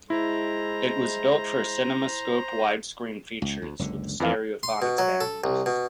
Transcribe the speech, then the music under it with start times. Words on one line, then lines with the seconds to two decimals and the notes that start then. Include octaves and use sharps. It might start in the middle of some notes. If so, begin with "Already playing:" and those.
It was built for Cinemascope widescreen features with stereophonic sound.
0.10 G#3 E4 C5 A#5
3.42 C#2
3.62 D2
3.79 F#1 C#2 D3
4.20 F2 E3 F5
4.63 C6
4.82 B2
4.98 F#3
5.21 A4
5.44 C2
5.66 B2